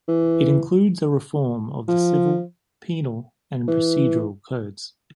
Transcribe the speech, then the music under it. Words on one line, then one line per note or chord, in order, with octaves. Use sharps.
It includes a reform of the civil, penal, and procedural codes.
E3
F3
E3